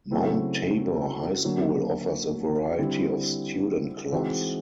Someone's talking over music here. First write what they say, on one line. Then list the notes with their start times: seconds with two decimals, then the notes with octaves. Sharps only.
Mount Tabor High School offers a variety of student clubs.
0.11 C#3 F#3 A3 C4 E4
1.44 D3 F#3 A#3
2.78 D3 G3 C4 E4
4.12 E3 G#3 C4 D#4 F#4